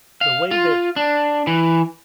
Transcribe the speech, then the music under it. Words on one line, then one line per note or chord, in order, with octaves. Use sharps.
the way that
F5
F4
D4
E3